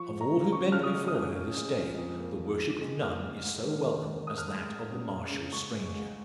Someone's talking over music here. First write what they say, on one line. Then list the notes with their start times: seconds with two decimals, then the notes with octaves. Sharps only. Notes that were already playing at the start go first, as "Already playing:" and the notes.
Of all who bend before her this day, the worship of none is so welcome as that of the martial stranger.
Already playing: F3 C#6
0.11 G#2
0.21 A#5
0.31 F3
0.52 C#3 C#6
0.72 C#3 F6
0.83 D#6
0.94 G#3
1.08 D#6
1.15 A#2 F6
1.35 C#4
1.57 G#3
1.77 F2
1.98 F2
2.18 A#3
2.40 F3
2.60 F3
2.82 G#3
3.02 A#3 F6
3.23 G#2
3.44 G#2
3.65 D#3
3.86 D#3
4.06 G#2
4.27 G#2 D#6
4.38 F6
4.48 G#2 D#6
4.69 G#2
4.90 C#4
5.10 C#4
5.31 C#3
5.52 G#2 C#6
5.74 G#3
5.95 G#2